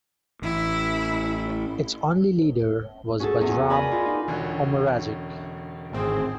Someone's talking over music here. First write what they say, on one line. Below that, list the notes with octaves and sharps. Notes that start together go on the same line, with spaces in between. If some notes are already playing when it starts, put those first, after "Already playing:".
Its only leader was Bajram Omeragić.
A1 E4
C#4 F#4 G#4 A4
E2
A#4 B4 D5 D#5 G#5 B5
F4
D#4
E1 D3 C#4
G#1 A2 C4 G#4